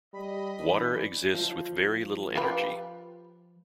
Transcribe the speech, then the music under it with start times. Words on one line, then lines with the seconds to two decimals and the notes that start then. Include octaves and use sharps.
Water exits with very little energy.
0.14 G3 D#5 B5
0.59 E3 D4
1.34 F3
2.35 F4 G4 B4